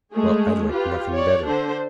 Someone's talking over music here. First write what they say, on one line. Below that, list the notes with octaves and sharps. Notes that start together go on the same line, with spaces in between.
Well, I'd like nothing better.
G#3 A3 G#4
F4 G4 B4
C#5 D5
D3 D4 C5